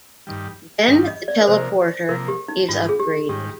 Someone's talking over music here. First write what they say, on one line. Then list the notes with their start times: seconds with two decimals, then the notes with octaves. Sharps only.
Then the teleporter is upgraded.
0.27 G2 D#3 G3
0.88 G2 D#3 G3
1.08 D#5
1.28 D5
1.41 A#4
1.48 C3 F3 A#3 C5
2.09 C3 F3 A#3 A#4
2.28 G4
2.48 D#4
2.69 G#2 D#3 G3 F4
2.89 G#4
3.00 G4
3.29 G#2 D#3 G3 G4